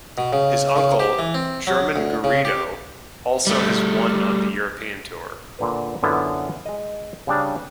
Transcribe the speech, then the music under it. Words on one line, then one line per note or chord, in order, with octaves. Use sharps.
His uncle, German Garrido, also has won on the European Tour.
B2
C#3
C#3
G4
E3
C4
F#3
D2
C#3
G4
G3 A3
A#2 D3 B4
F#2 D3 B3 E4 F4
G#3 D#5
C#3 G3 D4